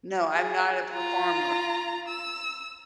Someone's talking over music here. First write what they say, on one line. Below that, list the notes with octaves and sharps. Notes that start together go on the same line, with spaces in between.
No, I'm not a performer.
G#4
F4 A#5
E6